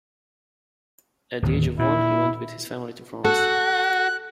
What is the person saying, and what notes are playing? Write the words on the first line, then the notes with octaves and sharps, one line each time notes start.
At the age of one, he went with his family to France.
D1 D#2
A#2 E4
F#4 A4 F#6